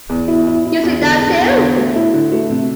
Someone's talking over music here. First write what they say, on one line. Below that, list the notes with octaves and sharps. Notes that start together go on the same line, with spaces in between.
You sit down too.
E2
E4
E4
E4
E2
D3
E2
E2
D3
A3
E4
D3
A3
C3